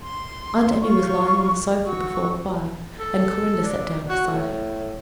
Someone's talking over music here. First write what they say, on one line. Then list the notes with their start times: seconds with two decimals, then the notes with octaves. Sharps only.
Aunt Emmy was lying on the sofa before the fire, and Clorinda sat down beside her.
0.01 C6
0.82 F4 C#6
1.86 F#4 C#6 E6
2.99 A4
3.64 D4
4.09 F#4
4.27 A2